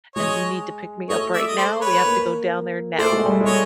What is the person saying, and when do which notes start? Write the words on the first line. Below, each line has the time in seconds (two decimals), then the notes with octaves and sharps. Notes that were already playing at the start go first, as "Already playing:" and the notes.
and you need to pick me up right now, we have to go down there now."
0.15 G#3 C#5 D#5
1.10 A3 C#5 D#5
1.34 D5 E5
1.47 D#5
1.57 C5 D5
1.81 B4 C#5
2.05 A#3
2.98 A3 C5 D5
3.12 G#3
3.26 G3
3.40 G#3
3.46 C#5 D#5